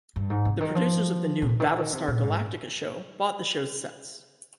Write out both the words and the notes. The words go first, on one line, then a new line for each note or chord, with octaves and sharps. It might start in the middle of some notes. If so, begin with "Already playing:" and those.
The producers of the new "Battlestar Galactica" show bought the show's sets.
G2
G#2
C3
D#3
F3
A#2
C3
D#3
D3
D#3
C3
A#2
G#2